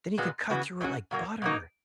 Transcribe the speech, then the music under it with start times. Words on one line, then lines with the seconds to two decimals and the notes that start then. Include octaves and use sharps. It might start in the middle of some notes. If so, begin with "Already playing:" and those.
Then he could cut through it like butter.
0.18 A#2 G#3 B3 F#4
0.50 C#3 E3 B3 F#4
0.81 G#2 F#3 C#4 F#4
1.11 A#2 F#3 A#3
1.42 B2 F#3 A#3 D#4